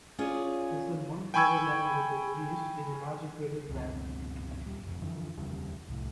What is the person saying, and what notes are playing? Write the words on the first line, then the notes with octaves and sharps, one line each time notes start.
Less than one crater diameter to the east is the larger crater Bragg.
C#4 F4 G#4 C#5 D5
G5 G#5 B5 C#6 E6 G#6
C#2 F#2 B2 C4
D#1 G3
F#1 F2
D3 E3 F3
F1 D#2 C#3 G3
C2 A2